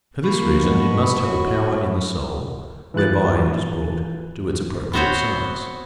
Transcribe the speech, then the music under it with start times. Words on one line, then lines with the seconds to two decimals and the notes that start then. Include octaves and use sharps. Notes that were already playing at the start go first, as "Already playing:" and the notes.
For this reason it must have a power in the soul, whereby it is brought to its appropriate size.
0.24 F3 A#3 B5 C#6
0.61 B2
1.24 A2 F#4
2.94 E3 E4 F4 F#6 A6
4.93 B3 C4 F#4 C5 C#5